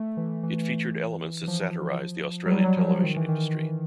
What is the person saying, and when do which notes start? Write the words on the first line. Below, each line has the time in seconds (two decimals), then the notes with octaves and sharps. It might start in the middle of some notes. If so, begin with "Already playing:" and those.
It featured elements that satirised the Australian television industry.
Already playing: A3
0.17 E3
0.43 E3
1.43 E3
1.48 F3
2.46 F#3
2.51 G3
2.64 F#3
2.77 F3
3.03 D#3
3.16 E3
3.29 D#3